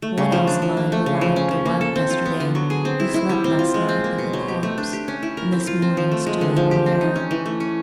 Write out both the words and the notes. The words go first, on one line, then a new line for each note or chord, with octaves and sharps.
What else am I who laughed or wept yesterday, who slept last night like a corpse, and this morning stood and ran?
A3
C#3
F3
D4
F3
A#3
A3
C#3
F3
C#4
F3
A#3
A4
C4
F4
B3
D3
F#3
G#4
C4
E4
E4
G3
C4
F4
G#3
C4
A#3
B2
F#3
G4
A3
D4
G4
C#4
E4
A#4
C4
F4
C4
F3
A3
G#3
D3
F3
G4
C4
D#4
C#4
E3
A3
C#4